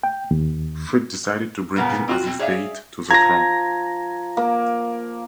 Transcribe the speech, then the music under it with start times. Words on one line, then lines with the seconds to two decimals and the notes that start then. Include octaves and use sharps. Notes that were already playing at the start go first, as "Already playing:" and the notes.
Fricke decided to bring him as his date to the prom.
0.03 G5
0.31 D#2
1.76 A#2 C#3 A#3 B3 E4 A#4
2.08 C4 F4 F#4
2.24 B2 C4
2.39 G#4 C#5 D5 E5 F5
3.11 F3 A#5 G#6 A#6
4.37 A#3